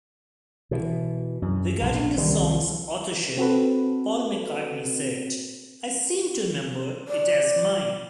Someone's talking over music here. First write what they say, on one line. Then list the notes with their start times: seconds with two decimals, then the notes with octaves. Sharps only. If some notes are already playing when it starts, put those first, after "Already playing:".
Regarding the song's authorship, Paul McCartney said, I seem to remember it as mine.
0.71 B2 E3
1.42 F#2
1.82 A#1
2.18 C2 D#3 G3
3.38 C4 F#4 A4 B4
7.08 D5